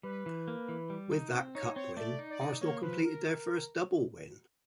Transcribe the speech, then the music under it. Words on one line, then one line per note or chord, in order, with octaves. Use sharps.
With that Cup win, Arsenal completed their first Double win.
G3 B4
E3
A#3
E3
G3
D#4
C4
D#4 C#5
C4 C#5
A3 D5
D#4
D5
D#4
A#3 C#5
F3 B4
A#4